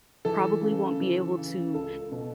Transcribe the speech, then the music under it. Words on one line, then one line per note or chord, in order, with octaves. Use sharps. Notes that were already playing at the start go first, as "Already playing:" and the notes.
probably won't be able to
E3 A4
C#3
E3
C#3
C#2 A4
B2